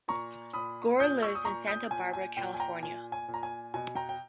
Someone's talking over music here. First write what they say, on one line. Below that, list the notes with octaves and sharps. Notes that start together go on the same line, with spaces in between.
Gore lives in Santa Barbara, California.
A#2 A#5 C#6
A#2 B5 D#6
A#2 D#6 G6
C#6 E6
D#6
A#2 A#5 C#6
D#6 G6
A#2 G#5
G#5
A#2 G5
G#5
G5 A#5
A#2 G#5
G#5
A#2
A#5
G#5
B2 G#5
G5 A#5
G5